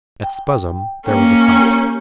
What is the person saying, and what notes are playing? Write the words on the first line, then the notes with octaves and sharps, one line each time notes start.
At Spuzzum there was a fight.
G5
A#3 C#4 G5
G4